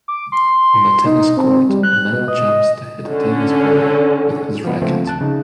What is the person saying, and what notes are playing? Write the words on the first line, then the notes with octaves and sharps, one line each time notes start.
On a tennis court, a man jumps to hit a tennis ball with his racket.
D6
C6
D#4
C4
G3
F#6
B2
D#5
D3 C#4
F3 B3
C#2 D3 F3 A3 C4
D2 A5 F#6
C#3 D#4